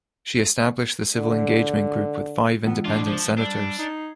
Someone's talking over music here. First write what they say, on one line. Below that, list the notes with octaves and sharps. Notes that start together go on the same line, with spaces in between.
She established the Civil Engagement group with five Independent Senators.
D3
E3 G#3 B3
B2 D4 F4
F3 C5
G3 D4 E6
D#4 G#6 C7